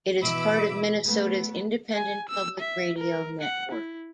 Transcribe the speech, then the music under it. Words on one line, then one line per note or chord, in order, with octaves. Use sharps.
It is part of Minnesota's Independent Public Radio network.
B2 E3 E5 B5 D6 E6
A3 B3
G#5
E6
E5
A#4
F#5
E4